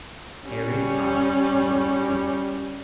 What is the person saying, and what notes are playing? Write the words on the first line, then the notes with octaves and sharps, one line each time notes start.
Harry's eyes kindled, too.
G3 C#4